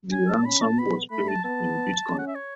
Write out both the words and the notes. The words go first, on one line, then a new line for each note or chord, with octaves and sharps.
The ransom was paid in Bitcoin.
C#4 G#5
A5
C#4 B5
A5
B3 B5
A3 B5
A5
B3 A5
C#4
F#5
E5
C#5